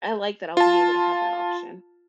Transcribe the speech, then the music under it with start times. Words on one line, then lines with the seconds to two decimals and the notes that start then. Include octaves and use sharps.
I like that I'll be able to have that option.
0.57 F4 A5